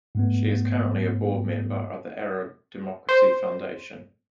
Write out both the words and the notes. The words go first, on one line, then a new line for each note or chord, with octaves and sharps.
She is currently a board member of the Arab Democracy Foundation.
G#2 A3 B3
C5